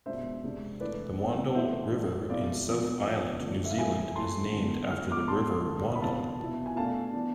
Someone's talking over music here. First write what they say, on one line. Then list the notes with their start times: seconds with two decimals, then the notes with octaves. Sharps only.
The Wandle River in South Island, New Zealand is named after the River Wandle.
0.06 B2 G#3 D4 C5 E5
0.44 C3 G#3 D4
0.80 E3 A3 D4 B4 D5
1.18 F3 B3 D4
1.55 E3 A3 C4 E4 C5 E5
1.92 E3 G#3 D4
2.29 B2 G#3 C4 E4 D5 F5
2.67 F3 B3 D4
3.04 F3 B3 D4
3.41 D3 F3 A3 D4
3.65 E5
3.71 F5
3.78 E3 G#3 C4 E4 E5 G#5
4.15 E3 A3 E4 A5 C6
4.53 D3 G#3 B3 D4
4.90 E3 G#3 B3 F6
5.11 D6 F6
5.28 B2 G#3 B3 D4 A5 C6
5.65 D3 A3 E4
5.95 B5
6.02 C3 E3 B3 D4 F5 A5
6.39 B2 B3 E4
6.66 G#5
6.76 B2 A3 D4 F5 A5
7.13 E3 B3 D4